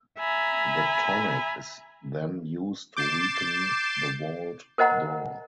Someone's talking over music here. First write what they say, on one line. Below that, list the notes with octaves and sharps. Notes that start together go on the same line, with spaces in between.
The tonic is then used to weaken the vault door.
E5 G#5 A#5 B5
D6 G6 A6 C7 E7
A#4 C5 D#5 F#5 A#5